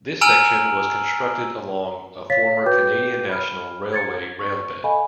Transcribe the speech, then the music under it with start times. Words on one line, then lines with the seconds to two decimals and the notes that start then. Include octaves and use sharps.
This section was constructed along a former Canadian National Railway railbed.
0.21 G#5 A#5 E6 F6 D7 F#7
2.30 C#5 F5 A6 B6
2.66 F#4 B4 G5 D6 G6
3.30 B5 F6
3.93 G#6 A6 C#7
4.39 C#6
4.84 A4 D#5 F5 G#5 B5